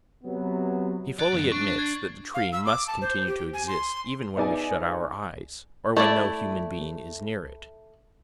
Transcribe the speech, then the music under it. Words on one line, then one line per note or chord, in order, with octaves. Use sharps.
He fully admits that the tree must continue to exist even when we shut our eyes or when no human being is near it.
C3 F#3 B3
D5 F#6 G#6 D7
C2 F#2
D4 C#6 D7
G#6 A6 C7
F5
E6
D6
A5
C5
G4
G#5
C6
B3 D#4 G#4 D5 E5 G#5
A3 E4 D5